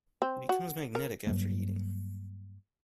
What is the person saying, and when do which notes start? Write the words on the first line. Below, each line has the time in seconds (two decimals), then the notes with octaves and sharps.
It becomes magnetic after heating.
0.22 C4
0.49 F#4
0.95 A#4
1.27 G2 F#3 G3 A#3